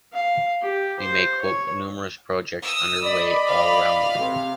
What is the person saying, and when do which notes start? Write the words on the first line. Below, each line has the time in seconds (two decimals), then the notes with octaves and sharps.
We may quote numerous projects under way all around the world.
0.13 F5
0.62 G4
1.00 C5
1.41 C#5
2.62 D#6 E6
3.04 D5 D#5 B5
3.46 F5
4.21 C3